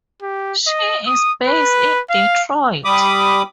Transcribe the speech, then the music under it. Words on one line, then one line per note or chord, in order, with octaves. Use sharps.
She is based in Detroit.
G4
D#5
D#6
B4
F5
G3 B5 D6 D#6